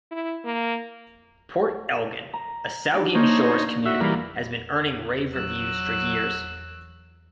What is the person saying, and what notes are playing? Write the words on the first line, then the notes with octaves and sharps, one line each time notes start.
Port Elgin, a Saugeen Shores community, has been earning rave reviews for years.
E4
A#3
A#5
D4 D#4 D5
A#3 D#4 C5 C#5
F#4 E5 E6
E3 G3 A#4 F5 B5
F#3 E6 F#6